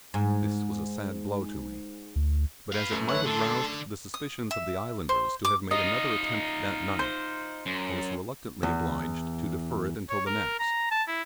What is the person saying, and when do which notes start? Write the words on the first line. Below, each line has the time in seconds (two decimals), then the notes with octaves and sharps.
This was a sad blow to me; but as it might have aroused the suspicions of the islanders to have made another attempt that night, I was reluctantly obliged to defer it until the next.
0.14 G#2
2.16 D2
2.72 B4 F5
2.92 F#2 A3
3.09 B4 C#5 E5 F#5
3.26 D3 A4 C6
4.14 D#6
4.51 E5
5.09 C5
5.45 D6
5.71 D#4 F4 D#5
6.99 C5
7.66 F#2
8.63 E2
10.09 C#5
10.27 A#4
10.59 A#5
10.91 A5
11.08 E4